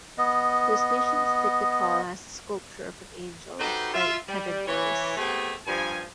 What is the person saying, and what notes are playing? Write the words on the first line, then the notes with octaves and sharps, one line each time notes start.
The station's ticket hall has a sculpture of an Angel by Kevin Boys.
B3 D#5
D#4 F#4 G4 A4 B4 C5
F4 E5
G3
E3 C#5
A3 B3 C4 G4 G#4
G2 F3 G#5